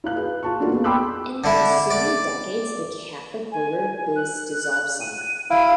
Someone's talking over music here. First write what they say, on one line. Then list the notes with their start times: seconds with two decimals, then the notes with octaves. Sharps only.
In the ensuing decades, the Catholic voter base dissolved somewhat.
0.04 E4 F5 F#6
0.16 G#4 B4
0.43 F4 A5 C#6
0.60 A#3 D4 D#4 F4 F#4 A4
0.72 B3 G#4
0.84 G5 B5 C6 D6 E6 F#6
1.44 D3 E4
1.90 D5
3.52 G#5
4.16 F#6
5.01 D#7
5.50 E4 F5 D7